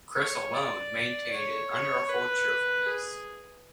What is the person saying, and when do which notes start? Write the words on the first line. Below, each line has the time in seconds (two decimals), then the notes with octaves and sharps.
Chris alone maintained an unruffled cheerfulness.
0.15 C#5
0.53 D5
1.32 C#5
1.71 C#5
2.08 B4
2.86 G#4